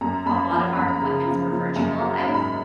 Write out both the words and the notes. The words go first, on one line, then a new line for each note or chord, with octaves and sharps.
a lot of our appointments were virtual, I would
F#2 A#5
F#2 B5
F3 A#5
A#5
F#2 B5
A#5
C#3
F3
F3
F#2
F#3 A#5
B5
G#2
B5